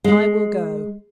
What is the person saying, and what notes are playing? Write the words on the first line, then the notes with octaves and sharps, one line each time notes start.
I will go.'
G#3